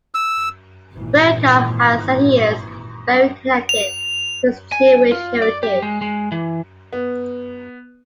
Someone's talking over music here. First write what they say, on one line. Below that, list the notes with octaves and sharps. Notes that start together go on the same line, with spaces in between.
Bierko has said he is "very connected" to his Jewish heritage.
E6
G#1 A#2 E3
F7
G#5
F4
D5
G4
G#3
G#3
E3
B3